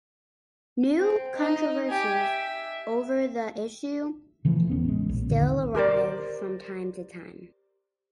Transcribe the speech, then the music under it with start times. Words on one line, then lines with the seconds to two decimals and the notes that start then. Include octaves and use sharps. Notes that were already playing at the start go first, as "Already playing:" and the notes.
New controversies over the issue still arise from time to time.
0.98 C4
1.36 D#4 D#5
1.89 G4 G#5
2.20 E5
4.45 C#3 E3 F3 A3
4.67 E1 B3 C#4
4.84 A1 G#3
5.09 A#1
5.30 D#1 D3 D#3
5.75 G4 A#4 C5 D5